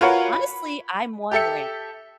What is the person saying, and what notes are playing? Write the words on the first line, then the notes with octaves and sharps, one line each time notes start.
honestly, I'm wondering
F4 F#4 A#4 B4 C#5 F#5
B5
G4 A4 E5 C#7